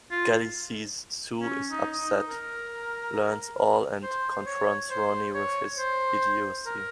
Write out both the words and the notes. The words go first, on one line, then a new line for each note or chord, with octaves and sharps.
Gally sees Sue is upset, learns all and confronts Ronnie with his idiocy.
F4
C#4
D#4
D#4
A#4
C5
C#5
C5
C#5
C5
A#4